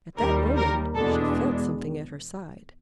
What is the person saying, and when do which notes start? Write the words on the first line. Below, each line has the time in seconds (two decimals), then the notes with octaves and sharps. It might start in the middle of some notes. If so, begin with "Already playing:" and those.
At that moment she felt something at her side.
0.17 D#2 D#3 G3 A#4
0.56 A#4
0.95 E2 B2 G#3 B3 D4 A4